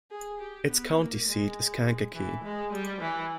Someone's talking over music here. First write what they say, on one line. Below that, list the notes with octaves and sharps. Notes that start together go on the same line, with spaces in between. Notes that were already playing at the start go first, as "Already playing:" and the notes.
Its county seat is Kankakee.
G#4
G4
B3
A#3
G#3
E3
G#3
G3
E3